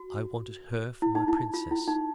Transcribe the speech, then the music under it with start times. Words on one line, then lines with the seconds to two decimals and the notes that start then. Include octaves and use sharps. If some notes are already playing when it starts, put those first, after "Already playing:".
I wanted her for my princess.
Already playing: F#4
1.02 E4
1.15 D#4
1.28 E4
1.54 F4
1.71 E4
1.88 D#4